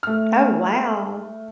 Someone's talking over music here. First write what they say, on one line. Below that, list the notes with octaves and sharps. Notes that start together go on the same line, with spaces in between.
Oh, wow.
A3 F6